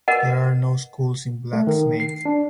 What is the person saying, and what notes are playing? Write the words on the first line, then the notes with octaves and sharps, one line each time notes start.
There are no schools in Black Snake.
A#4 B4 D#5 F#5
A3
D#3
C7
D4